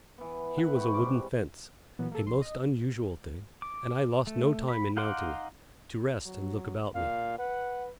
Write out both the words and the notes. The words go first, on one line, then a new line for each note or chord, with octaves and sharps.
Here was a wooden fence,--a most unusual thing,--and I lost no time in mounting it, to rest and look about me.
E3 B3
E5 F#5 G5 B5
B3 F#4 G5 B5
G#2 C3 G3 D6
A#2 E3 F#3 B3
A#3 A4
A#1 C6
D#5
D6
A3
B5
D#4 F5 F#5 C6 D6
F#3
A#2 F5
B4 F#5